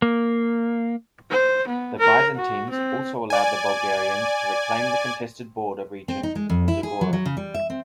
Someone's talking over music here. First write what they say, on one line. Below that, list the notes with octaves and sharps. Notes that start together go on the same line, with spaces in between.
The Byzantines also allowed the Bulgarians to reclaim the contested border region of Zagora.
A#3
C5
B3
A#4
F#4
C4
D5 G#5
C4
D#4
G#3
F2
E4
G#4
F#3
F#3
C#3
G3
E5
C4